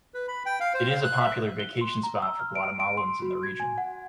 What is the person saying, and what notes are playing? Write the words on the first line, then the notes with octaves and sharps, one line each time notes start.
It is a popular vacation spot for Guatemalans in the region.
B4
B5
G5
F5
C5
F5
F#6
E5
G7
C6
A#5
E6
F6
D7
D7
C6
F#4
G#6
G#5
F#5